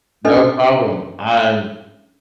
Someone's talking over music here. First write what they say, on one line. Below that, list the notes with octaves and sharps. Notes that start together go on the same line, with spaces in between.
No problem, I'm
C#4 D4 A4 B4 D#5